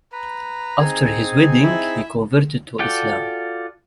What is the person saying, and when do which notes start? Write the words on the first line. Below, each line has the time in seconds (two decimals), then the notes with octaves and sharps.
After his wedding, he converted to Islam.
0.13 B4 A#5
0.79 C4 D#4 G#4 G#5
1.62 E4 E5
2.79 F4 F#4 A4 D5 G5